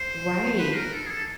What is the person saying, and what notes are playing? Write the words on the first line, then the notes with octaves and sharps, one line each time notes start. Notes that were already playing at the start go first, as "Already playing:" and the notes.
Right. Ye
Already playing: C5
B4
A#4
A4
G#4
A4